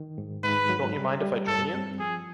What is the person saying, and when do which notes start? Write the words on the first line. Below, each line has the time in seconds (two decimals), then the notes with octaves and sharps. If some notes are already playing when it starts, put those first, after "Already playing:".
Don't you mind if I join you?
Already playing: D#3
0.18 G#2
0.44 G#2 B4
0.69 F#3
0.96 G3
1.22 G3
1.47 G2 A4
1.74 C4
1.99 F3 G#4